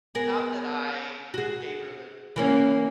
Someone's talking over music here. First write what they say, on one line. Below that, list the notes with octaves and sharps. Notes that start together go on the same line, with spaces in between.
not that I gave her the, you know,
B3 G#4 A#4
F#4 G#4
E3 A#3 C#4